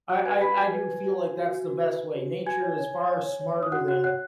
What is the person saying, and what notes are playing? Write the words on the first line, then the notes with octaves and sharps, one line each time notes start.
I I I do feel like that's the best way. Nature is far smarter than,
F#4 F#5 F#6
B4 G#5 G#6
B4 B5 B6
F#4 G#5 G#6
B4
B4
F#4
B4
F#4
F#4
F#4
B4
B4
F#4
B4
F#4 G#5 G#6
C#5
C#5
C#5
C#5
C#5
C#5
C#5
D#6
F#4 F#5 F#6
F#4 F#5 F#6
C#5 F#5 F#6